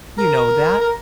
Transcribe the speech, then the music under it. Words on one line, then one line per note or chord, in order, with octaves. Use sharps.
You know that.
A#4
A#4